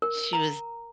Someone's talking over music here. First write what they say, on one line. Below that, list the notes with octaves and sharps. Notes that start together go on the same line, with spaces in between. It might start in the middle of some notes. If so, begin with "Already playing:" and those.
She was
A#4
A#5